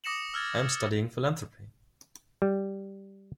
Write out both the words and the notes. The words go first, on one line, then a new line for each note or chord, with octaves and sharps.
I am studying philanthropy.
D6 D#6 A#6 C#7 E7 F#7
E6 F6 G#6 A6
G3